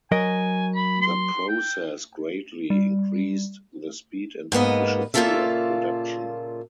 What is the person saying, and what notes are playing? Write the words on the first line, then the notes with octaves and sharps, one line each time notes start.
The process greatly increased the speed and efficiency of production.
F#3 A#4 D#5 G#5
B5
C6
G5
G3
G#2 A#3 B3 D#5
A#2 C#3 A#3 F4 A4 E5